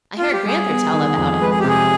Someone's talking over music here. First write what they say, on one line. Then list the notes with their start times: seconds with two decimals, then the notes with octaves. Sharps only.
I heard Gran'ther tell about it.
0.18 F4
0.32 G4
0.45 G3 G#4
0.70 B3
0.93 D#3
1.17 F2
1.41 G#3 B4
1.50 G#4
1.59 G4
1.64 C3 G#4